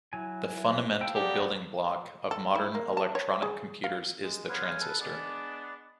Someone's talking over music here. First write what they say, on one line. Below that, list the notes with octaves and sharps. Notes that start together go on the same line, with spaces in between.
The fundamental building block of modern electronic computers is the transistor.
F#3 E4 G#5
E4 C5 F5 G5 A5
B3 D#4 G4 A4 D5 F#5
A4
E4
A#3
A5
C#5
G#4
F5
G#3
C#3 B3 B4 C5 G#5 F6
A4 B4
G#3 B3 D4 D5